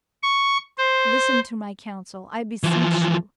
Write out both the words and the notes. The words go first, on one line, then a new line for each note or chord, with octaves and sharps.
Listen to my counsel, I beseech you.
C#6
C5
E3 F3